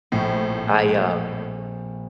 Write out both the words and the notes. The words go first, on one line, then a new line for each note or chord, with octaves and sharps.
I, um,
A#1 A2 C4